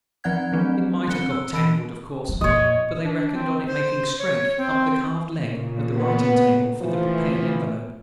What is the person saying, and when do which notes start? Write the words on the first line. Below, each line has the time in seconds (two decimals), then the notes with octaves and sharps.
It might have got tangled, of course, but they reckoned on its making straight up the carved leg of the writing-table for the prepared envelope.
0.24 F3 C4 D5 F#5 F#6 G#6
0.52 D#3 F3 F#3 A3 C4 D4
1.08 D#3 C4 F#6 C#7 G7
1.31 E6
1.53 E3 B5 E6 D7
2.29 F#3
2.41 F2 A#2 C#5 D#5
3.04 D4
3.33 C4
3.66 C5
4.19 C#5
4.57 C4
5.38 A#2 C#3
5.96 B3
6.81 E3 F3 A3